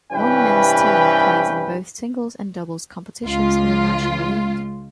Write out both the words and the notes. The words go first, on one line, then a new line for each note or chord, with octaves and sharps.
One men's team plays in both singles and doubles competitions in the National League.
G2 C3 E3 C#4 B4 G5
C#2 F4